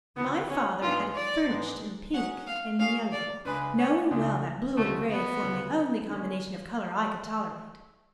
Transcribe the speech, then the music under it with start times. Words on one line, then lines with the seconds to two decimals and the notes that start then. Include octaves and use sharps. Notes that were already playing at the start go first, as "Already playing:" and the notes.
My father had it furnished in pink and yellow, knowing well that blue and gray formed the only combination of color I could tolerate.
0.16 D2 C#3 F3 B3
0.50 C#4
0.82 G#2 G#3 B3 D4 F4
1.15 D5
1.48 G#2 G#3 B3 D4
2.13 F#3 C#4 G#4 C#5 F#5
2.47 F5
2.79 F#3 C#4 G#4 C#5 F5
3.12 D5
3.45 C#2 C#3 G#3 D4 G#4 B4
3.78 C#4
4.10 C#2 C#3 G#3 D4 G#4
4.77 D2 C#3 F3 A3
5.10 B3
5.43 D2 C#3 F3
6.09 D3 G#3 C#4